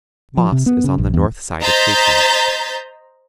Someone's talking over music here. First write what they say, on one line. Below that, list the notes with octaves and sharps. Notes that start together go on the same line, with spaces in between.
Moss is on the north side of tree-trunks.
F3
C3
B3
C#3
A#1
E2
C5 D#5 A#5 G6 A6 B6